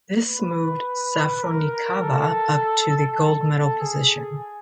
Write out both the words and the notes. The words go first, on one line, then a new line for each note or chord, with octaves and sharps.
This moved Safronnikava up to the gold medal position.
B4
A#4
A4
A4
A4
G#4